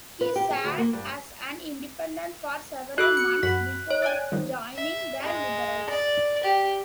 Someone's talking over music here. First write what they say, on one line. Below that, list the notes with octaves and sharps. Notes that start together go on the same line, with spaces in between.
He sat as an independent for several months before joining the Liberals.
B4
G4
G#4
D2
A#3
G2
F#4 A4 E6 F#6
C#7
F#2 F#4 B5 B6
C#5
D5 G5 G#5
D#3 F3 G3
E5
G#3
D5
G4